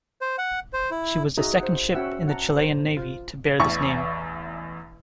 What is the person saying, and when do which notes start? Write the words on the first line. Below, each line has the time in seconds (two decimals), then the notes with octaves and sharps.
She was the second ship in the Chilean Navy to bear this name.
0.21 C5
0.38 F#5
0.73 C5
0.91 E4
1.38 D#4 F#4 G#4 D#5 E5 A#5
1.59 C5 F#5
1.94 C#4 F#4 E5 F#5 G5 E6
2.28 F#5 A5 A#5
2.56 C5
2.97 F4
3.60 A1 E2 C#6